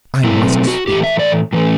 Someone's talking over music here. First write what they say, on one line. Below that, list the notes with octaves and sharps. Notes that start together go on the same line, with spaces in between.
I must speak.
B2 F#3 A3 C4 E4
F#4
A2 E3 A3 G4
E5
D5
A2 E3 A3